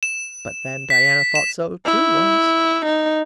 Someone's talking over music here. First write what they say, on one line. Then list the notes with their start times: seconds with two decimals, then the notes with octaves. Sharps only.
But then Diana thought so too, once.
0.03 E7
0.90 B6
1.35 E7
1.86 E4
2.86 D#4